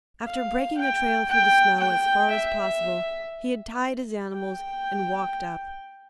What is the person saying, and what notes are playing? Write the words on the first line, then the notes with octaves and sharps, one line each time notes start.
After breaking a trail through the snow as far as possible he had tied his animals and walked up.
F5
G5
G5
G5
E5
G5